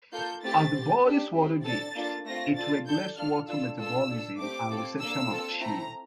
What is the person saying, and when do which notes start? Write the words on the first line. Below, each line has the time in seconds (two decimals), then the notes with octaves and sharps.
As the body's water gate, it regulates water metabolism and reception of qi.
0.13 A#3 F4 A4 G6
0.44 A3 C4 E4 G4 A6
0.74 C4 G4
1.04 D4 G4
1.34 C4 E4 G4
1.65 D4 A4 A6
1.96 A#3 D4 F4 A4
2.26 A3 C4 F4 A#6
2.56 D4 F4 A4 A6
2.87 D4 A4 G6
3.17 D4 F4 A4 F6
3.47 D4 F4 A4 E6
3.78 D4 F4 A4 E6
4.09 D4 A4
4.39 A3 C4 G4 D6
4.70 C4 F4 A4
5.00 A#3 D4 A4 E6
5.30 C4 F4 A4
5.61 A3 C4 E4 A#5